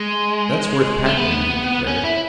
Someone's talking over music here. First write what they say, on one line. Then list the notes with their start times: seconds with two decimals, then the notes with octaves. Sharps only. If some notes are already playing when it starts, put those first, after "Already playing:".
"That's worth patenting," he declared.
Already playing: G#3
1.06 A3
1.17 B3
1.87 C#4
2.04 E4